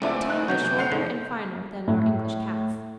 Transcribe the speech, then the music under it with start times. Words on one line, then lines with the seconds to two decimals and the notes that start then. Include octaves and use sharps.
The tail is shorter and finer than our English cats.
0.02 C#2 A3 C4 D4 E4 E5 D6
0.30 F#6
0.48 B2 D3 F#3 F#4 G6
0.63 F2 C3
0.79 F#5 C7 F7
0.92 G#2 D3 C4
1.88 A2